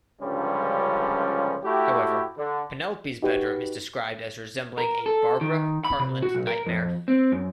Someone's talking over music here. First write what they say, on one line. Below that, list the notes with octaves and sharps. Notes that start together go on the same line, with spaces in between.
However, Penelope's bedroom is described as resembling a "Barbara Cartland nightmare".
C#2 G2 D3 F3 G3 C#4
A3 E4 F#4 G4
D3
D#4 F#4 G4 B4
A#4
A4
D#3
B5
C3
F#4
B1
A#4
F2
C4
F#2